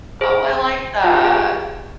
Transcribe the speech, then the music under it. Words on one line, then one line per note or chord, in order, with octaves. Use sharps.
Oh, I like that.
G#4 C5
F4
G4
G#4